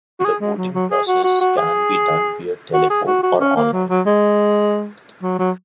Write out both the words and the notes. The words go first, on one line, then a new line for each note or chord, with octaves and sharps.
The voting process can be done via telephone or online.
F#4
G#4
G#3
F#3
F#3
G#4
F#4
F#4
F#4
G#4
F#4
G#4
F#4
F#4
C#4
A#3
F#3
F#3
G#3
F#3
F#3